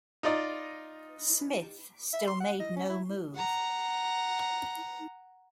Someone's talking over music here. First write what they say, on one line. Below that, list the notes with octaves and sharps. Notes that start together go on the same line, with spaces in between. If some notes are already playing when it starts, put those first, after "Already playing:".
Smith still made no move.
D#4 F4 D5 D#5
E5
C6
F#5
D#5
C#4
E4
F#5 A#5